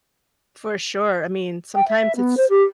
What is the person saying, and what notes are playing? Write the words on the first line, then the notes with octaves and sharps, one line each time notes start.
For sure. I mean, sometimes it's
G5
E5
B3
C5
G4